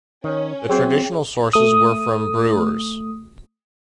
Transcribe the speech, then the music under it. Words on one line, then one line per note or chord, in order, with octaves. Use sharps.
The traditional sources were from brewers.
D#3 C#4
F#3 C4 G#4 C5 E5 G5
A3 D#6